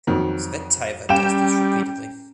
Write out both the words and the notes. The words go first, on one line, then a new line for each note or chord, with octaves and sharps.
Tsvetaeva does this repeatedly.
F2 D#3 F#3
G3 C#4 A#4 G5 E7